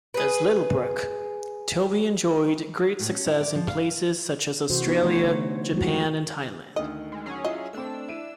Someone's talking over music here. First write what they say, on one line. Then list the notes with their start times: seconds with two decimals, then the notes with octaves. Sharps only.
As Littlebrook, Tovey enjoyed great success in places such as Australia, Japan and Thailand.
0.14 G#4 B4
2.99 A2
3.12 C#4
3.26 E4
3.41 D5
3.55 F3
3.68 F5
4.70 C3 E3 F#4 C5
4.87 B3 D#4
5.02 E3 A3 C5 C#5
5.24 D3
5.73 F3 G#3 E4 F#4
6.76 D2 D#3 D#5
7.12 G#3
7.26 F#3 C#4 G#4
7.45 E4 F4 D#5
7.73 A3 C4 D4 E6
8.08 E4 D7 D#7